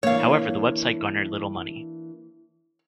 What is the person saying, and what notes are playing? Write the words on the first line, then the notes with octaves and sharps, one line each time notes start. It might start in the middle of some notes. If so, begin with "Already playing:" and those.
However, the website garnered little money.
E3 A#3 D4 C#5 F5